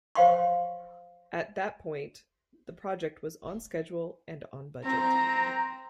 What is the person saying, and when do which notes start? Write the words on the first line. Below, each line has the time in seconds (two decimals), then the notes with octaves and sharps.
At that point, the project was on schedule and on budget.
0.15 C5 C#5 F5 G5 C6 C#6
4.85 C4 A#5